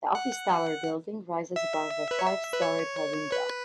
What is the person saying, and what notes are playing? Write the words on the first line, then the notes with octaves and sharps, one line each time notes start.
The office tower building rises above a five-storey podium block.
F#5
E5
B4
C#5
E5
B4
C#5
B4